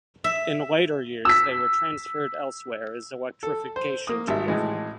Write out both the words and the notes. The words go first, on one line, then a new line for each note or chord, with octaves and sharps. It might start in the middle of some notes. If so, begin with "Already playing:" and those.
In later years they were transferred elsewhere as electrification took over.
E5
E6 B6
A4
C5
A#3 D#6
G#1 G3 E5
A2 E3 G#3